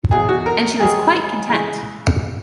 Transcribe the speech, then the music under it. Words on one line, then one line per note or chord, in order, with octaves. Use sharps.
And she was quite content.
E2 B2 F#3 G#4
F#4
A#4
G#2 D#3 F#3 G#4
C#3 E3 G#3